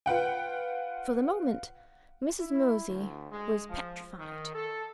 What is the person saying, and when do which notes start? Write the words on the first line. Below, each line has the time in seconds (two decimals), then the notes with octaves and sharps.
For the moment, Mrs. Mosey was petrified.
0.06 F4 B4 F#5 G5
2.40 E4
2.88 D2
3.31 G#3
3.69 F3
4.19 D#3
4.54 A4